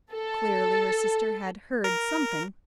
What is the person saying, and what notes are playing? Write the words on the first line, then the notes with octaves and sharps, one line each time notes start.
Clearly her sister had heard something.
A4
A#4